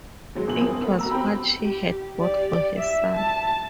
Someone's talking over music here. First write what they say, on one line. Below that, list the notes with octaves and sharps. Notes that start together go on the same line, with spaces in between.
It was what she had bought for her son.
D#2 F#3 G#3
G1 E2 A#2 F4 G#5 F#7
C4 A#4 G#5 D#6
A3 B3 C4
F#4 A#5 E6
C4 G4 G5 B5
G4
G4 D5
E5
A5